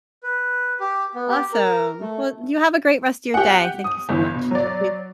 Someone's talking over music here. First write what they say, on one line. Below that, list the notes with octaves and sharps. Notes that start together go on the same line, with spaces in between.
Awesome. Well, you have a great rest of your day. Thank you so much. Talk to you
B4
G4
B3
G4
A#4
A3
G4 F#5
D#6
G1 E3
B2
F#3 D5